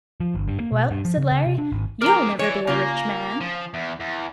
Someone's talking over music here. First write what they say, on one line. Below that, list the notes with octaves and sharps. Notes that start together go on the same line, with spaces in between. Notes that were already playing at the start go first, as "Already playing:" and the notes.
"Well," said Larry, "you'll never be a rich man."
F3
G1
G2
A#3
B2
G2
F3
C#3
C#3
C3
D4
G#1
G#4 A#4 D5 A#5
E3 C#5 D5
C#3 A#3 F4
F3
E2
E2